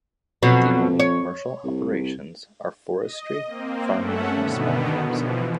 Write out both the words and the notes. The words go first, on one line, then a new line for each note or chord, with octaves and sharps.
The only commercial operations are forestry, farming and a small campsite.
F2 B2 F#3
C#5
C2
D#5
A#3 C4
G2 A3 C#4 A4 E5 F#5
B2 D3 D#3 B3
B2 E3 F3